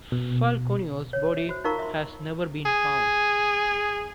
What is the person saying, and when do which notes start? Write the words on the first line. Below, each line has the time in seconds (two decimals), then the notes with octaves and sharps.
Falconio's body has never been found.
0.12 B2
1.13 C#5
1.37 E5
1.49 F#4 C5
1.64 D#4 F4 A#4 F5 A#5 C#6
1.79 E5 C6
2.66 G#4